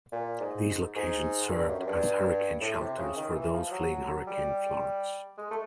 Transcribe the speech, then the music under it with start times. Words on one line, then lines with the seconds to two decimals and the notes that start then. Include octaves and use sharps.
These locations served as hurricane shelters for those fleeing Hurricane Florence.
0.12 A#2
0.40 G#2
0.95 G#2
1.51 G2
1.68 F#2
1.79 F#2
1.87 G2
2.61 A2
2.80 C3
2.98 C#3
3.16 D#3
3.35 E3
3.54 F3
3.72 F#3
4.27 G3
5.38 G#3
5.51 A3